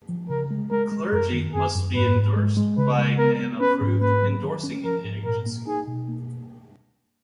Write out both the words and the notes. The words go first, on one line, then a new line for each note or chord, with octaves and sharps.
Clergy must be endorsed by an approved endorsing agency.
F3
C#3 A#4
G#3
G#3 A#4
G#3
F#2 A#4
D#3
F#2 G#4
F#2
G#2 B4
G#2
G#3
G#3
C#3 B4
G#3
B3 A#4
B3
C#4 B4
G#2
A#3 B4
F#3
D#3
C#4
F3 A#4
G#2
A#2 A#4
A#3
D#4 G#4
B2
A#3